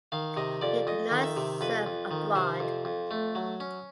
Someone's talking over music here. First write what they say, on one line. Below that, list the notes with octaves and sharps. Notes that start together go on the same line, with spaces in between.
He did not serve abroad.
D#3 F5
C3 D#5
F2 D5
F2 D#5
D#3
E5
C3
F2 B4
F2
D#3
C3 C5
F2
F2
A3
F#3
C#4